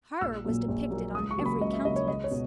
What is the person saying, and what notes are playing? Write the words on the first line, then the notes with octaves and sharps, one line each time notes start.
Horror was depicted on every countenance.
A#1 E6
A#2 F#3 A#3
A#1
A#2 F#3 A#3
C#2 D#6
C#6
C#3 F#3 A#3
B5
C#2 D#5
E5
C#3 F#3 A#3 D#5
C#5
C#2 D#5
C#5
B2